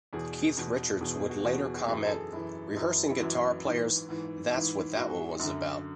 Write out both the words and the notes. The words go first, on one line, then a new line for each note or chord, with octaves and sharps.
Keith Richards would later comment "Rehearsing guitar players, that's what that one was about".
E2 B2 G#4
E2 B2
E2 B2 G#4
G#4
F#4
E2 B2 F#4
G#4
F#4
F#2 E3 G#4
A4
G#4
F#2 E3 E4
F#2 E3
E4
F#2 E3 F#4
G#2 E3
G#2 E3
G#2 E3
G#2 E3 F#4
F#2 D3